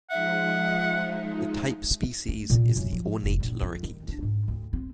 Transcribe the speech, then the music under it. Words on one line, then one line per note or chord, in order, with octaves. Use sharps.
The type species is the ornate lorikeet.
F3 G#3 D#4 E5 F#5
A3
A#2
F#2
F3
F1
A#1
F2
D#3
D4
G#2
D2
C4